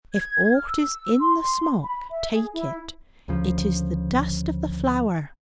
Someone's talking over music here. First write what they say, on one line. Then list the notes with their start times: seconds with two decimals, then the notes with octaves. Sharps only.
If aught is in the smock, take it; it is the dust of the flower.
0.14 G#6
0.54 F6
0.67 E6
1.20 C6
1.41 C6
1.82 B5
2.10 E5
2.31 G#4
2.53 E4
3.28 D2 C#3 F3